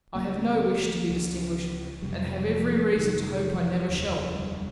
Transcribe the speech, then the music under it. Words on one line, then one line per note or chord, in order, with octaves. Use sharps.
I have no wish to be distinguished; and have every reason to hope I never shall.
C#2 C#3 A#3
C4
G#3
A#3
F3
C#2 C#3
F1 F2 C3 G3
F3
F1 F2 C3 D#3
D#3
F3
F1 D#2 C#3
F3
G3